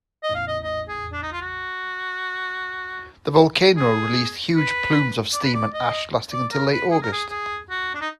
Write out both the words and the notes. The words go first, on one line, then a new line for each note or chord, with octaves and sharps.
The volcano released huge plumes of steam and ash lasting until late August.
D#5
F5
D#5
D#5
G#4
D4
D#4
F4
F#4
G#4
B4
D5
B4
D5
D#5
D5
A#4
B4
G#4
A#4
G#4
G#4
F#4
D4
D#4